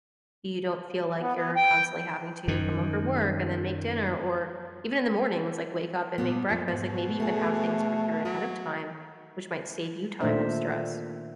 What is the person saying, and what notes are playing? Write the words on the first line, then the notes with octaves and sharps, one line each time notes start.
you don't feel like you're constantly having to come home from work and then make dinner, or even in the mornings, like, wake up and make breakfast, like, maybe you can have things prepared ahead of time, which might save you time and stress.
B3
B3
G5
F#2 D#3
A#2 G3 B3
F2 A#2 C4
G#2 B2
A3 G#4 A4
F#3 C#5
A#2 D#3 A3 D4 C5 E5